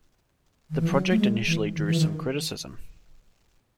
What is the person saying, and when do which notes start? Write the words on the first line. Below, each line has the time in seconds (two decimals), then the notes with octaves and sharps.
The project initially drew some criticism.
0.70 D#3
0.80 E3
0.91 F#3
1.11 A3
1.19 G#3
1.47 E3
1.75 D#3
1.87 E3
2.00 D#3